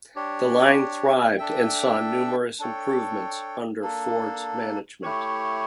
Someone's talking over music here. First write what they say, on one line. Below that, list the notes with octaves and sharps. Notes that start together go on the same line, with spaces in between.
The line thrived and saw numerous improvements under Ford's management.
D4 G4 C#5
D4 A4 E5 G5
D4 A4 C#5 G5
A#3 D4 A4
A3 E4 G4 C#5